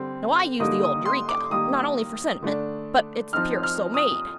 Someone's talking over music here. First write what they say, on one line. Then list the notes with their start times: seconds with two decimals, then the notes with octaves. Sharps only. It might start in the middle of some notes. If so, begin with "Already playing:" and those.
Now I use the old Eureka--not only for sentiment, but it's the purest soap made.
Already playing: D3 G3 C4
0.60 D3 G3 A#3 D#4 D#6
0.83 D#6
1.06 C6
1.29 D6
1.51 D#3 G3 A#3 D#6
2.42 D3 A3 D4
3.33 F3 C4 D#4 F6
3.63 F6
3.94 D#6